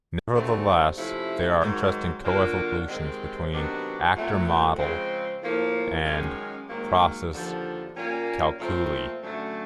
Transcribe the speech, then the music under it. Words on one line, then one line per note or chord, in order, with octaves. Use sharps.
Nevertheless there are interesting co-evolutions between the Actor Model and Process Calculi.
D#2 D3 F#3 A3 C4
C3 F3 A3 C#4 E4
G#2 D#3 F#3
D3 F#3 A#3 D4 F4
C3 D#3 G#3 C4
C3 D#3 F#3 B3 D4
A#2 F#3 A3 C4
C#3 F3 G#3 C4
A2 F3 A#3
F#2 D#3 G#3 C#4
G#2 D#3 F#3 A#3
D#2 D3 F3
A#2 G3 A#3 C#4
A#2 F3 A3 C4 F4
F#2 D3 F#3 A3